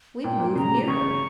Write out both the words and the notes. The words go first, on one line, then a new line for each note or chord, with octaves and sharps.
We moved nearer.
A#2 G5
A#2
C#3 A#5
C#3 C#6